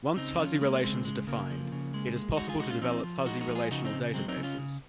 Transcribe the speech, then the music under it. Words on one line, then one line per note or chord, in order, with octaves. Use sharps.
Once fuzzy relations are defined, it is possible to develop fuzzy relational databases.
C#3 C4 D#4
F3 C#4 F4
G#3 A#3
C#3 G#3 C4
C#3 G#3
C#3 A#3
F3
C#3
G#3
G#3
G#3 D#4 F#4
F4 G#4
G#3 D#4 F#4
C#4 F4
F3 C4 D#4
F3
G#3 D#4 F#4
D#4 F#4
F3
F4 G#4
C#3 D#4 F#4
C4 D#4
C#3
F#3 G#3 C4
C4 D#4
C#3
C#4 F4
C#3